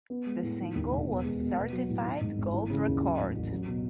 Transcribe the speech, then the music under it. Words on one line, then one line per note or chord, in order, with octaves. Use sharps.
The single was certified gold record.
B3
G#3
A2
D#3
D#2
E1
B3
G#3
B2
B3
F#3
A2
D#3
G#2
G#1
E3
C#3
D#2
F#3
A2
A1
F#3
B2